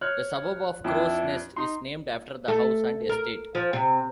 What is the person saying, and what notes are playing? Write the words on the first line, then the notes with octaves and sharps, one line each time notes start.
The suburb of Crows Nest is named after the house and estate.
C#5 F6 F#6
F2 D4 E4
D#4 C6
A3
A#4
F3
C3